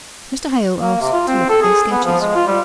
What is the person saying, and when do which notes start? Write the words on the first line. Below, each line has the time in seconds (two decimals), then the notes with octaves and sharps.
Mr. Hale asked to look at their sketches.
0.79 A#3
1.01 C3
1.13 F4
1.28 C4
1.49 A4
1.62 G#4
1.91 B3
2.04 F3
2.21 G#3
2.35 F4
2.47 G3